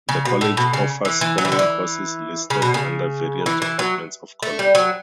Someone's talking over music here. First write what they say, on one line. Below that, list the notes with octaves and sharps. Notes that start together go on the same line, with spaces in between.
The college offers following courses listed under various departments of college.
C#3
B2
A2
B2
C#3
E3
E3
F#3
E3
D3
E3
C#3
B2
C#3
E3
E3
F#3
A3
G3
F#3